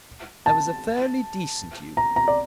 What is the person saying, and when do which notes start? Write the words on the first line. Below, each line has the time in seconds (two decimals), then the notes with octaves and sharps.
I was a fairly decent youth.
0.46 A5
1.97 A#5
2.16 A#5
2.28 D5